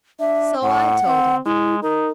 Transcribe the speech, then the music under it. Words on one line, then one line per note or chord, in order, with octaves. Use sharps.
'So I told him.
D4 E5
A2 F#5
C4
G#3 E4
D#4 A#4